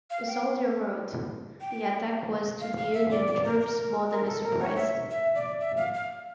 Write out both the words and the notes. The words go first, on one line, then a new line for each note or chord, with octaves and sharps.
A soldier wrote, The attack was to the Union troops more than a surprise.
F5
G5
G5
F5
F5
E5
D5
D5
A#4
A#4
A#4
A4
A#4
C#5
E5
E5
D5
E5
F5
F5